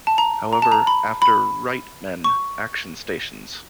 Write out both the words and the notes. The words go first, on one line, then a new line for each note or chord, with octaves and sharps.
However, after Right men, action stations!
A5
A#5
A#5
A5
A#5
B5
B5
C#6